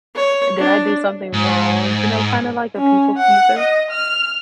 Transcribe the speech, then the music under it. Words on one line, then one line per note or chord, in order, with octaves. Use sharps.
"Did I do something wrong?" You know, kind of like a people pleaser,
C#5
D4
G#2
C#4
F#5
D#5
F6